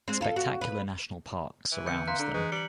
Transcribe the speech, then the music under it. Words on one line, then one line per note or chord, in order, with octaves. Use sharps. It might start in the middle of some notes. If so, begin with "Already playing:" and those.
Spectacular National Parks surrounds them.
G#3 C4
F4 A4
F#4
B4
E3
D3 C4 G6 C#7
D3 F5 A#5 C6 F#6 B6
D3 D4
E3 G#3 B4
G3 C#7 F#7